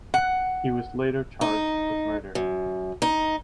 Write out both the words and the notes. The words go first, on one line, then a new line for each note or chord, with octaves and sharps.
He was later charged with murder.
F#5
D#4
F#2
D#4